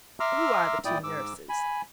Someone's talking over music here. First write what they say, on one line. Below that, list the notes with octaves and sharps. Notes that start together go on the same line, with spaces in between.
'Who are the two nurses?'
E5 A#5 C6 D6 E6 F6
A#2 E4 D5 G5 D#6
G#2 D6 E6
G#5 B5